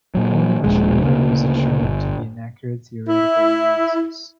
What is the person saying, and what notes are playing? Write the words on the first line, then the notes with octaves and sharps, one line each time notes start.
Only much later was it shown to be an accurate theoretical analysis.
A#2 F#3
D#1 A#1 G#3
D2 C#3 A#3
G1
E4